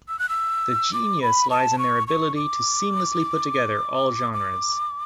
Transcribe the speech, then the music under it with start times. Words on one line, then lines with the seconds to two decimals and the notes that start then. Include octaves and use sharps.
The genius lies in their ability to seamlessly put together all genres.
0.08 E6
0.19 F#6
0.29 E6
0.93 D6
1.22 B5
1.50 A5
1.79 C#6
2.07 C#6
2.36 D6
4.33 D6